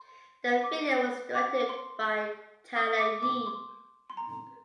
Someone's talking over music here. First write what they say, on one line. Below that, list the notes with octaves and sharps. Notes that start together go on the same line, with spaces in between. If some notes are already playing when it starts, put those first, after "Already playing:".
The video was directed by Tyler Yee.
Already playing: C6
D6
D6
C6
D#6
D6
D6
C6
C6
A#5